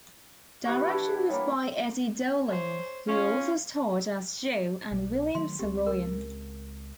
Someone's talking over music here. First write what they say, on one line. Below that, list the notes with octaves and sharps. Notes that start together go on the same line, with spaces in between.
Direction was by Eddie Dowling, who also starred as Joe, and William Saroyan.
E3 G4 F#5 C#6
D4 E4
G3 A#3 C#5
C5 C#5
C#4 F4
B1 B2
D#3 F#3 A3 C6
C#2 G#3 C4 G4
A#4